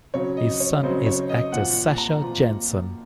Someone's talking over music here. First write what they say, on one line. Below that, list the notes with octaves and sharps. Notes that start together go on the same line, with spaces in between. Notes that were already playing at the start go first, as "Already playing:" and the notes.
His son is actor Sasha Jenson.
C#3 F#3 C#5
D#5
C#5
C#3 F#3 C5
C#5
D#5
A#2 F3 F#5
A#5
A#2 F3